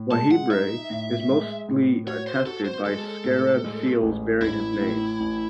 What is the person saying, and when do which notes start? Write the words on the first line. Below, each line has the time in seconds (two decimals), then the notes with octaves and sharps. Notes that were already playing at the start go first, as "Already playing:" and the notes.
Wahibre is mostly attested by scarab seals bearing his name.
Already playing: A2
0.12 G#3 A5
0.31 F#5
0.51 D#4 E5
0.90 A2
1.30 G#3
1.68 A2
2.07 F#4 C#5
2.27 C5
2.46 F#4 A4
2.66 C5
2.85 G#3 A4
3.24 A2
3.64 G#3
4.02 A1
4.41 A1 E4
4.81 A2
5.20 A1